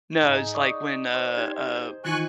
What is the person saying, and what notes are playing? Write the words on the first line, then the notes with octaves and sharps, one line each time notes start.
No, it's, like, when, uh, uh
G#2 D#4 G#4
D5 C#6 D#6
C5
D#4 G4 G#6
D#3 E3 D#4 F4 G#5 C#6 F#6